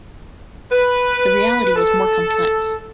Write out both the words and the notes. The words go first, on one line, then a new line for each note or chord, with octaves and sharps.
The reality was more complex.
B4
A4